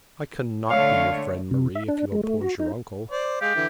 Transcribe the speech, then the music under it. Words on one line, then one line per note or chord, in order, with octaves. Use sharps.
'I cannot be your friend, Marie, if you oppose your uncle.
D3 A3 C#5 F5
C3
E5
D4
G#3
A3
F#4
D#4
C5 D5
G#3 G4 F5
D3 E3 E4